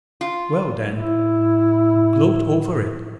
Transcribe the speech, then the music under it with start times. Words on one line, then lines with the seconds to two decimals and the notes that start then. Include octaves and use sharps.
Well then, gloat over it!
0.21 F4
0.98 A2 E4